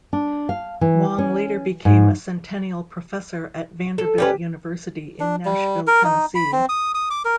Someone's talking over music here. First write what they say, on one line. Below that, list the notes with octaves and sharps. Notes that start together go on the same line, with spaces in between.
Wang later became a Centennial Professor at Vanderbilt University in Nashville, Tennessee.
D4
F5
E3
C#4
G#2
A4
G3 C#4 G4 B4
D4
G3
A#4
D#4
B5
C4
D#6
D#6
D6
A#4